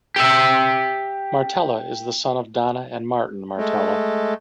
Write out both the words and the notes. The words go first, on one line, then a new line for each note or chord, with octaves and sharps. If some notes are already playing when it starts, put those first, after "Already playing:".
Martella is the son of Donna and Martin Martella.
G4 E5
G#3 A3